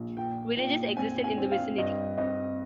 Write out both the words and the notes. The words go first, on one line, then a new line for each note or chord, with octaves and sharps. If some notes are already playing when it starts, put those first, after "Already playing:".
Villages existed in the vicinity.
Already playing: A#1
A#2 G5
A#2 G5
C4 G#5
G#5
C4
F5
G2 D#5
C4 D#5